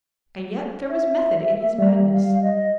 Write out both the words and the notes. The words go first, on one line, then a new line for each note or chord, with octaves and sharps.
And yet there was method in his madness.
E5
G3
F5
D#5